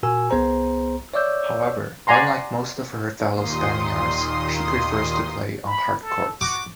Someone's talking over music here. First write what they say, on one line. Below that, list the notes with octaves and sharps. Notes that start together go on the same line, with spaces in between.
However, unlike most of her fellow Spaniards, she prefers to play on hard courts.
A#2 F#4 A#4 G#5 E6
C2 B3 G#4 C5 A#5
C#5 D5 E5 D6 E6 G6
D5 F#5 G#5 A#5 C6
D#2 A#2 D#3 C6 D#6
B5
A4
F#4 D6